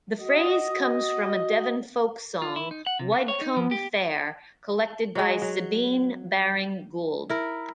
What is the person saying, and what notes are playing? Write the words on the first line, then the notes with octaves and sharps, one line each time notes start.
The phrase comes from a Devon folk song "Widecombe Fair", collected by Sabine Baring-Gould.
F#4 D#5
F4
E4
D#4
F#5
C3
B3
C#5
D#4
F3
G4
F#3 G#3
F#3
E4 A#4